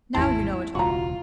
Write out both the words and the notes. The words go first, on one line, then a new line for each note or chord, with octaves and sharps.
Now you know it all.
G#1 E2 A2 E4 A5
E1 C#2 F4 F#4 A#5